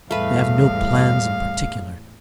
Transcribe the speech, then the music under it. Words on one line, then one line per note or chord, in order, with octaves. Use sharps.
They have no plans in particular....
E2 A2 G3 A3 B4 F5